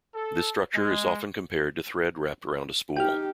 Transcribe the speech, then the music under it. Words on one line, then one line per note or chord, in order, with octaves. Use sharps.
This structure is often compared to thread wrapped around a spool.
A4
G#3
D#4 G4 G5 F6